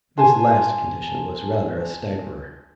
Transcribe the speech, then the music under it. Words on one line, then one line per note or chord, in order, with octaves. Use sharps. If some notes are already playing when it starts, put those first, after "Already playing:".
This last condition was rather a staggerer.
G#5 A5 C6